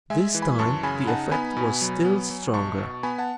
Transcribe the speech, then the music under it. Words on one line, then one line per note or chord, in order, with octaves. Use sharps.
This time the effect was still stronger.
G#3 E5 G#5
E3
G#5 B5
F#2 A5 C#6
C#3 G#5 B5
D#4 F#5 A5
B3 G#5 B5
B2
F#3
B3
F#3
B1 A5 C#6
B2
B3 G#5 B5
F#5 A5